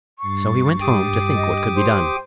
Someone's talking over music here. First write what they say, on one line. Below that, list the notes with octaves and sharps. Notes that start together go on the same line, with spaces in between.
So he went home to think what could be done.
G2 C#6 A6 C7
G4 D6 D#6
D#5
C5